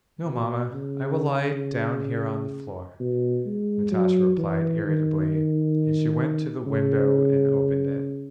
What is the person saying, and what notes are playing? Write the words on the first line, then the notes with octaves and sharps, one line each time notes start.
"No, Mamma, I will lie down here on the floor," Natasha replied irritably and she went to the window and opened it.
B2
C#3
B2
G#3
F#3
E3
D#3
C#3